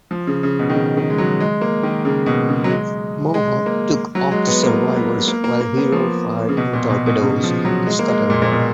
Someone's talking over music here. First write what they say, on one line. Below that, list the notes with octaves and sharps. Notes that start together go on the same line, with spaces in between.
"Mohawk" took off the survivors while "Hero" fired two torpedoes to scuttle her.
F3
C#3
C#3
B2
D#3
C#3
D#3
G#3
F#3
G#3
A#3
D#3
C#3
B2
C#3
F#3
G#3
G#3
A#3
F#3
G#3
B3
A#3
B3
A#3
A#3
A#3
B3
F3
C#3
B2
A#2
B2
B2
C#3
F3
F#3
G#3
A#3
G#3
A#2
A#2
B2